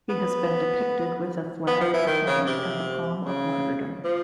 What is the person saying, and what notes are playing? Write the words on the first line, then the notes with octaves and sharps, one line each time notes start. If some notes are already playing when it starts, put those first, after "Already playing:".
He has been depicted with a flag, a helmet and the palm of martyrdom.
B3
B3
F3
E3
D#3
C#3
C3
C#3
F3